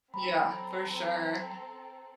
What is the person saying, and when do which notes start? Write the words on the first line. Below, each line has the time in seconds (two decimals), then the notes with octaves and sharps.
Yeah, for sure.
0.14 F#3 C4 A4 A#5 B5